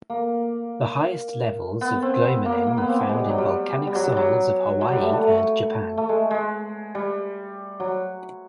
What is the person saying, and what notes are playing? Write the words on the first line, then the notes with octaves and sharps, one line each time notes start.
The highest levels of glomalin were found in volcanic soils of Hawaii and Japan.
A#3
B3
C4
B3
A#3
A#3
B3
C4
B3
G#3
G3
F#3
G3
G3
F#3
F#3 G3
F#3
G3
A3
A3
A3
A3
G#3
G#3
G3
F#3